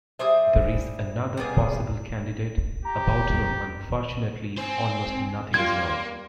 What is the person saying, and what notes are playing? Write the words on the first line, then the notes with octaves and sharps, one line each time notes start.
There is another possible candidate, about whom, unfortunately, almost nothing is known.
G3 G#4 C5 E5
G3 A#3 B3 G#4
G4 A#5
C4 C5 G#5
G3 A#3 F4 C6 G#6